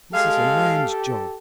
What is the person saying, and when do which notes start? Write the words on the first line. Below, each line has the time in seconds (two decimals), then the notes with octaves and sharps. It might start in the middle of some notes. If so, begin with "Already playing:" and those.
This is a man's job.
0.13 G#3 G4 A4 F5